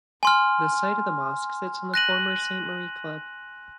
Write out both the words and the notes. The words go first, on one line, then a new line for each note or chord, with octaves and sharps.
The site of the mosque sits on the former Saint Marie Club.
G#5 C6 F6
F#6 A#6 D#7 F#7